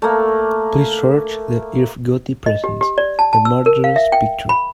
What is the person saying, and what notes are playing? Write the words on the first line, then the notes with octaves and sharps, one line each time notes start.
Please search the Irv Gotti Presents: The Murderers picture.
A3 A#3
D#5
G4
G4
D5
A5
A5
E6
A#4
F5
E5
G5
B5